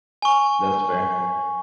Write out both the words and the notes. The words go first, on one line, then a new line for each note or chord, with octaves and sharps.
That was fair.
G#5 C#6